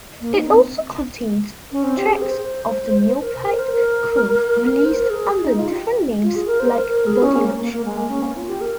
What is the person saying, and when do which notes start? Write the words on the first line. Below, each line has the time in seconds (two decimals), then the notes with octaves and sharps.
It also contains tracks of the Neophyte crew released under different names like "Bodylotion".
0.21 A#3
0.34 D#4
0.47 C4
1.72 C#4
1.84 C4
1.97 G4
2.10 G#4
2.22 C5
3.22 A#4
3.34 C5
3.46 A#4
3.59 C5
3.73 A#4
4.72 A#4
4.85 C5
4.98 A#4
5.10 G#4
5.44 D#4
5.59 F4
5.72 G4
6.23 F4
6.36 G#4
6.47 A#4
6.60 C5
6.73 A#4
6.89 A#4
7.07 G#4
7.23 C#4
7.36 A#3
7.61 A#3
7.73 A#3
7.85 G#3
7.98 A#3
8.10 C#4
8.23 A#3
8.35 F4
8.49 G4
8.61 A#4